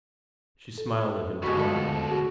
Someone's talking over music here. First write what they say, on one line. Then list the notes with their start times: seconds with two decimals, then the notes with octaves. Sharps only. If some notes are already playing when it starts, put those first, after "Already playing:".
She smiled at him tolerantly.
0.78 A4
1.43 D2 B2 G3 G#3 B3 F#4 C#6
1.57 D3 F4 A4
2.11 F#4 G#4